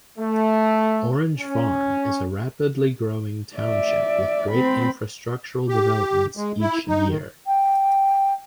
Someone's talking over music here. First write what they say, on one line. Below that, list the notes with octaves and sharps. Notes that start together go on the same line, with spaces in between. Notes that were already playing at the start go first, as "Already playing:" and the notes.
Orange Farm is a rapidly growing township with great infrastructural developments each year.
A3
C#4
D5 E5
C4 B5
G4
G#3
E4
D#4
D#3
G5